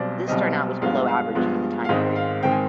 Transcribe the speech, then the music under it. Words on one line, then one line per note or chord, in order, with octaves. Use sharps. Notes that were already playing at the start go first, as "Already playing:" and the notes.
This turnout was below average for the time period.
Already playing: B1 B2 G3 C4 C5 D5
B1 B2 G3 C4 D#5
G2 F3 G#3 B3 F5
F5
G2 F3 G#3 B3
F5
G#1 G#2 D#3 G#3 C4 D#5
F5
D#3 G#3 C4 G5
G#5